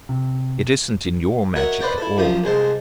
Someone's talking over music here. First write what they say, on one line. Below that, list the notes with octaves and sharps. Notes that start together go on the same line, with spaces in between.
It isn't in your magic at all.
C3
F#4 A#4 C#5 D#5 E5 F#5
B4 C5 D5 D#5 G5
E4 A4
F#2 F3 G4 D#6
C2 G#3 C5 A5